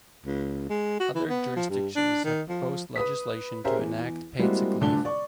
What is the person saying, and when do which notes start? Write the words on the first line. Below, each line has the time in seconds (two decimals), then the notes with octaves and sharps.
Other jurisdictions have proposed legislation to enact paid sick leave.
0.26 C#2
0.69 G#3
0.99 F#4
1.15 E3
1.29 B3
1.56 F3
1.69 G2
1.96 D4
2.24 D#3
2.49 F3
2.96 B4 D#6 B6
3.64 C#4 G4 G#4 A#4 C5 E5
3.79 E2
4.39 G3 G#3 A#3 C4 E4 F#4
4.81 D#1 D2 D3 D4 A5 G7
5.05 D5 C#6